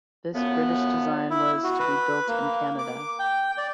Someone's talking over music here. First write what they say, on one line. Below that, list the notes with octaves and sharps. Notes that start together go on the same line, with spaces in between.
This British design was to be built in Canada.
F#2 A2 F3 B3
E4
F#4
B4
A#3
D6
G5
D5